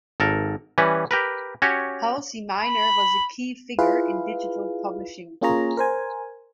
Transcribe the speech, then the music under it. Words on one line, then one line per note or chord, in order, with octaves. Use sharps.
Halsey Minor was a key figure in digital publishing.
G#1 A4 A#4
E3 G3 C#4 B4
G4 A#4 B4
C#4 F#4 G4 C#5
B5
E4 F4 G#4 B4 F5
A#3 C#4 F4 G#4 C#5 A#5
A#4 C5 G#5